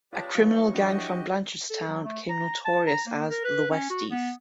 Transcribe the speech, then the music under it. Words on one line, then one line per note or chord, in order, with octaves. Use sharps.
A criminal gang from Blanchardstown became notorious as "The Westies".
C#3 G#3 F4 G4 B4 D5 A5
A2 E3 F#3 D#4 B4 F5 C#6
F3 D4 F#4 G4 D#5
A4
F#3
A3
A#5
A5
A#5
A#3
A#4
B4
C#4
F#4
B3